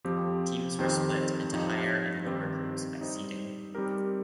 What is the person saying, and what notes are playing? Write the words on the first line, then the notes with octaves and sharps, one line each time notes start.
Teams were split into higher and lower groups by seeding.
F2 F3 C4 G4
F2 D#3 C4 G4 C5
F2 F3 D#4 G4 D#5
G2 D#3 C4 G4
G3 D#4 C5 D#5
G3 C4 D#4 G4 A#4